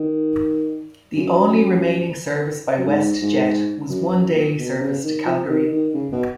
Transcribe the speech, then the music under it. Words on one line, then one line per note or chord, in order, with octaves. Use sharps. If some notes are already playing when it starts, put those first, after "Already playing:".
The only remaining service by WestJet was one daily service to Calgary.
Already playing: D#3
F#2
F#2
G#2
G#2
F#2
F#2
A#2
B2
C#3
D#3
F3
D#3
D#3
C#3
B2